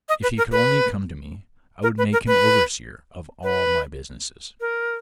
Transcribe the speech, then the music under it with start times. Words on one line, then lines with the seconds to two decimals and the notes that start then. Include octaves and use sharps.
If he could only come to me I would make him overseer of all my business.
0.09 D#5
0.23 B4
0.37 A#4
0.51 B4
1.83 A#4
1.98 B4
2.12 A#4
2.27 B4
3.43 B4
4.60 A#4